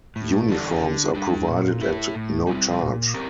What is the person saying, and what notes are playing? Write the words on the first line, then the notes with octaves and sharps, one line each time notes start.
Uniforms are provided at no charge.
A2
E3 G3 D4 A4
D3
G3 D4
A#2
A3 E4
A2
G3 C4 E4
A#2
C4 G4 A#4